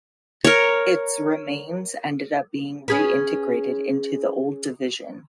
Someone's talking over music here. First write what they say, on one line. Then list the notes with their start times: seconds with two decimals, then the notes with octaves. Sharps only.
Its remains ended up being reintegrated into the old division.
0.44 A#4 C#5
2.88 C#4 G#4 B4